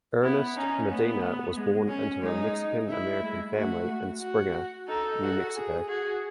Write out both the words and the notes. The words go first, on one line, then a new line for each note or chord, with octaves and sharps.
Ernest Medina was born into a Mexican-American family in Springer, New Mexico.
B3 E4
C#4 D#4
A3 B3
G#3
C#4
G#3 D#4
E4
G#3
A3 F#4
F#4
D#4 A4
F#4
G#4
F#4 G#4